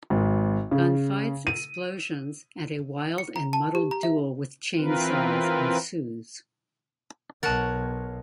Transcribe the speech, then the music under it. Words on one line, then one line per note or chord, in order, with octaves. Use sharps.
Gun fights, explosions, and a wild and muddled duel with chainsaws ensues.
G#1
C#3
D#7
C#7
A#5
A5
G4
A#5
E5
E3 C4 F4 A#4 B4
B1 A#4 C#5 F#5 A5 F#6 A6